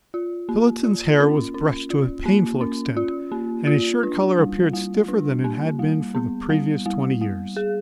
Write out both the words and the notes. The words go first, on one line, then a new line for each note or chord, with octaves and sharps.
Phillotson's hair was brushed to a painful extent, and his shirt collar appeared stiffer than it had been for the previous twenty years.
F4
A#3
F4
C#4
C#4
F4
A#3
C#4
F4
A#3
F4
D4
G3
G3
D4
A#3
G3
B3
G3
G3
G3
G#4